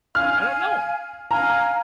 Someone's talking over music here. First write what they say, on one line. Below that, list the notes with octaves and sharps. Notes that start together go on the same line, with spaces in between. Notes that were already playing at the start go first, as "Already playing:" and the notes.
I don't know 'em,
F5 G#5 F6
F5 G#5 A#5 F6